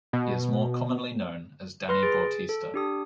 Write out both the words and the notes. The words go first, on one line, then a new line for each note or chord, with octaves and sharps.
He is more commonly known as Danny Bautista.
B2
B4 C6 F6 A#6
G#4 A6 D7
A4
D4 G4 D#6